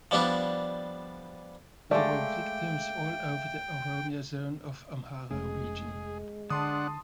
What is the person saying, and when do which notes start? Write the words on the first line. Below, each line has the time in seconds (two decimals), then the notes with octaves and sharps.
There were victims all over the Oromia Zone of Amhara region.
0.11 F3 G3 B3 D4
1.91 G#3 A3 D5 E5 F5 G5 D6
5.31 F1 G#3 A3 C#4 G#4
6.50 D3 D4 F#5 A5 C6 D#6